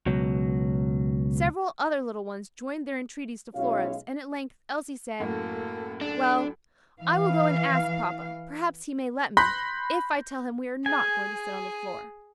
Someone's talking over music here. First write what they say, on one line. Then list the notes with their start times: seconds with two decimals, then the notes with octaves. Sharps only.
Several other little ones joined their entreaties to Flora's, and at length Elsie said, "Well, I will go and ask papa; perhaps he may let me, if I tell him we are not going to sit on the floor."
0.06 C#2 B2 F#3
3.55 B1 G#3 C#4 E4 F#4 F5
5.20 F#2 A2 A#3 F#4 A4
6.01 D4 A4
6.99 E3 F5
9.37 B5 C6 F#6 G6 A#6 B6
10.86 G#4 G#5